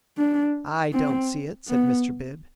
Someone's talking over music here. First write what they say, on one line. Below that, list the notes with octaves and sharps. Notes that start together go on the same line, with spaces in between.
"I don't see it," said Mr. Bib.
D4
C4
B3